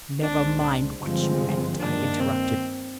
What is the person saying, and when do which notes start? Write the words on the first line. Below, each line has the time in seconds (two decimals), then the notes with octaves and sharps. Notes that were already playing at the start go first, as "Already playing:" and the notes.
"Never mind what you meant!" I interrupted.
0.21 C2 A#2 G#3 C4 D4
1.00 G2 D3 F3 G#3 C4
1.79 G2 D#3 A#3 D4
2.19 C4